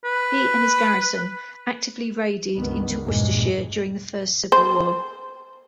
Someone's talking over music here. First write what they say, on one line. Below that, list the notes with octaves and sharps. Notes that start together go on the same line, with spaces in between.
He and his garrison actively raided into Worcestershire during the First Civil War.
B4
C#2 G2 D#3 B3
A#1 E2 G2 A#2 G#3
C5